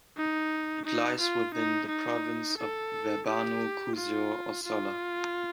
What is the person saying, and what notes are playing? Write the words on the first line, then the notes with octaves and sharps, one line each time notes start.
It lies within the Province of Verbano-Cusio-Ossola.
D#4
D#4
F4
D#4
D#4
A4
G4
F4
F4